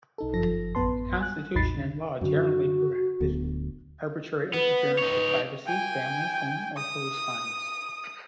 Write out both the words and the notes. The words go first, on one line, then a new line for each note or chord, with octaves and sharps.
The constitution and law generally prohibit arbitrary interference with privacy, family, home, or correspondence.
B1 D#4 A4
G1 F#2 F3 A4 A#6
A1 F#2 B3 B4 A5 C6
G#5 F#6
A1 E2 D#4 B5 A6 C7
D3
F#2 D3 F#4
D1 D2 B3
B3 B4
D#4 C#5
G5 G#5
D#6